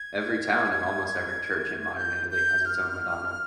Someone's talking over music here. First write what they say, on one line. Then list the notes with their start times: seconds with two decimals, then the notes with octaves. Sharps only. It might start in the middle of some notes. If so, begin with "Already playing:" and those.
Every town and almost every church in modern Italy has its own Madonna.
Already playing: G#6
1.96 G6
2.31 G6
2.65 F6